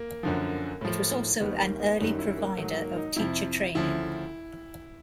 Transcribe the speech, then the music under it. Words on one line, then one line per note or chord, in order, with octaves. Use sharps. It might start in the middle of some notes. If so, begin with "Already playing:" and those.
It was also an early provider of teacher training.
Already playing: A#3
F#2 D3 F3
A2 F3
D#2 D#3 G3 B3
A#3
B3
F#2 D#3 G3 D#4
E4
A#3
G#2 D#3 F#3 A3
A#3
D#4
F2 C3 F3 E4
D2 C#3 F3 E4